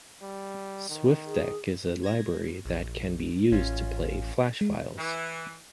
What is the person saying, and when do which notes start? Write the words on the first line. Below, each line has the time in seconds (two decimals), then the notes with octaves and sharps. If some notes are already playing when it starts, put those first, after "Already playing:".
Swfdec is a library that can be used to play Flash files.
0.22 G3
0.90 D#3
1.26 G#4
2.04 G#6 A#6
2.65 A#1
3.51 A1 C#4 F4
4.61 G#3
4.98 E3